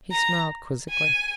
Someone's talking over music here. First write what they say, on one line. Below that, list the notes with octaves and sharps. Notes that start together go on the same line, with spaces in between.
He smiled quizzically.
A#5
G#5